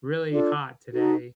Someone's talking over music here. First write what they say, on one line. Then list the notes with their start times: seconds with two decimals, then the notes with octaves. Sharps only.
really hot today
0.29 D4 F4 A4
0.91 D#4 F#4 A4